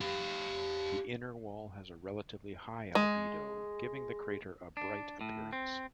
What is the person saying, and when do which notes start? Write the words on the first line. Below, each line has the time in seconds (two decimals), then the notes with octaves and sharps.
The inner wall has a relatively high albedo, giving the crater a bright appearance.
0.01 G4 F5
2.95 G#3
4.77 D4
5.21 A2
5.53 C4